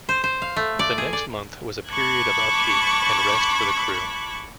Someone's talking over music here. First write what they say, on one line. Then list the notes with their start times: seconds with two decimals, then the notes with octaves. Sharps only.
The next month was a period of upkeep and rest for the crew.
0.09 C5
0.24 C5
0.42 F5
0.56 A3
0.79 D5
0.98 G#4
1.13 D5
1.89 A5 B5 C#6 D6 F#6 G#6